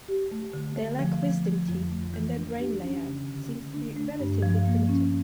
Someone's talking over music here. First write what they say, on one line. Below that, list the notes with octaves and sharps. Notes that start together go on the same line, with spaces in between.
They lack wisdom teeth, and their brain layout seems to be relatively primitive.
G4
A3
D3
A3
F3
F3
F3
F2
A3
E3
D4
G4
C#4
C#3
D3
A3
D4
A3
G2
F3
A#3
C#4